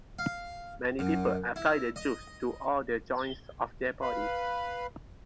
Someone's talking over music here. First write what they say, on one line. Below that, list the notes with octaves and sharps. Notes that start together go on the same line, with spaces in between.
Many people apply the juice to all the joints of their body.
F5
F#2
E4
D#5
B4 F5 B5